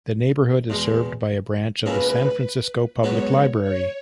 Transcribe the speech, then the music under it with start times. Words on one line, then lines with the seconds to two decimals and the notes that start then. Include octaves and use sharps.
The neighborhood is served by a branch of the San Francisco Public Library.
0.70 E2 B2 G#3
1.86 C#2 B2 A#3 C#4 E4 B4
3.03 G#2 F#3 B3 F#4 C#5
3.62 C#5